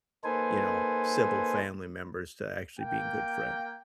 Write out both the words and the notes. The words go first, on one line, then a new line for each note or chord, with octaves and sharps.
you know, civil family members to actually being good friends.
A#3 D#4 A4 B4 C5 G#5
A#3 G5